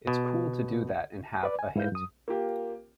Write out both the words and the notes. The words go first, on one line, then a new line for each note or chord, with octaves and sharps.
It's cool to do that and have a hit.
B2
B4 D5
G#5
G#2 E4 B4 F5 G6
F#2 D#6
A#3 F4 G4